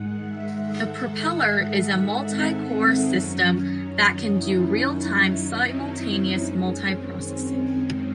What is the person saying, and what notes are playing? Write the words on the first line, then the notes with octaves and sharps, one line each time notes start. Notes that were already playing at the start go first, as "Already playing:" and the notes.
The Propeller is a multicore system that can do real-time simultaneous multiprocessing.
Already playing: G#2 D#3 G#3 F#5
E5
A4
D#4
C4
F#2 D#3 F#3 C#4
D#4
E4
C4
C4
F#2 D#3 G#3 C#4
C4
C#4
C#4